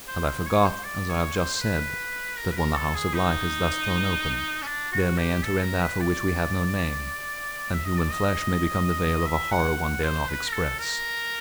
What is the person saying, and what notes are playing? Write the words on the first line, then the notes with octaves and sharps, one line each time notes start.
And I forgot, as I have just said, that when the house of life is thus thrown open, there may enter in that for which we have no name, and human flesh may become the veil of a horror one dare not express.
C5
C5
C#5
C5
D5
C#5
C5
C5
B4
A#4
B4
A#4
A4
G#4
D#4
C#4
D4
F#4
G4
A4
A#4
B4
D5
E5
D#5
D5
D#5
E5
F#5
F#5
C5
B4
A#4
A4
A#4